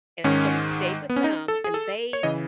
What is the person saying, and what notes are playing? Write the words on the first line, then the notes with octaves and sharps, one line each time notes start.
and so we stayed with them and they
G#2 D#3 C#4
B3
C#4
D#4
A4
G#4
A4
C#5
C#3 E3 D#5